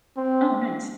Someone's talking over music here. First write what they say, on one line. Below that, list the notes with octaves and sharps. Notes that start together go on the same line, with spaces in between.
Oh, nice.
C4